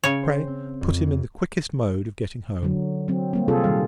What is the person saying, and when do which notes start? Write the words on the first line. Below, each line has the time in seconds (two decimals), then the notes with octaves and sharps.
Pray, put him in the quickest mode of getting home.
0.04 C#3 C#5
0.23 C5 G5
0.47 C4
0.81 F2
2.63 D3 F#3
3.08 F#3 C4
3.33 G3 A#3 C4
3.48 C3 C4 F4 G#4 A4
3.64 A#2 D#3 G3 F5